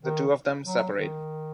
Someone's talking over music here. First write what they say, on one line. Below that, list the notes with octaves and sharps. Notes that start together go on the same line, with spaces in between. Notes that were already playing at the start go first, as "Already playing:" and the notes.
The two of them separate.
D#3
F#3
D#3